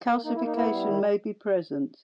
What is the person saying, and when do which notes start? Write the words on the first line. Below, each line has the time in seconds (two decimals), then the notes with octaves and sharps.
Calcification may be present.
0.09 A#3
0.25 A#3 D#4
0.36 E4
0.40 A#3
0.46 D#4
0.56 B3 E4
0.72 G3
0.88 D#3